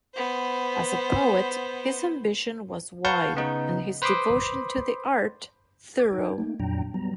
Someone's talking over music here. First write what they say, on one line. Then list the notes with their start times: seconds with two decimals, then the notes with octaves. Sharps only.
As a poet, his ambition was wide and his devotion to the art thorough.
0.14 B3 C5
3.05 B4 F5 F#5 A5 C#6 G6
3.35 C#3 B3 D#4
4.02 B4 C5 B5 C6 D6 D#6
5.99 D6 G#6
6.13 D#4 G5
6.38 A3 A#3 D#4
6.60 F2 A#2 F#3 D4 G5 A#5
6.94 F#3 G3 B3 A#5